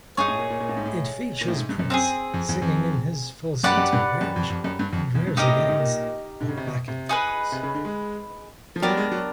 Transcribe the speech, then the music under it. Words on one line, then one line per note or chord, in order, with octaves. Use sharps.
It features Prince, singing in his falsetto range, and Rosie Gaines on backing vocals.
G2 D#4 G#4 C#5
A2
A#2
A#2
A#2
A2
G#2
A2
A#2
A2
G#2
G2
F#2
C4 D#4 G#4
F2
E2
F2
F#2 G4 B4 D5 F#5
F#2
G2
F#2
F2
F2
F#2
G2
F2
E2
G2
G#2 D#4 G4 A#4 D#5
A2
A2
G#2
A#2
D3
C#3
C3
B2
C3
D#4 G#4 B4
C3
C#3
D3
G#3
F3
F#3 B3 D4 G4 A#4
G3
G#3
F#3